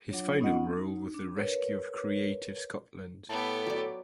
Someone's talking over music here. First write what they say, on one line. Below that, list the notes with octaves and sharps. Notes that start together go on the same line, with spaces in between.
His final role was the rescue of Creative Scotland.
F#3 D4 F4 C#5
B3 C#4 D#4 F4 D#5 F#5
D#4
D4
A#4 B4 C#5
A2 B3 G4 A4
F#3 D5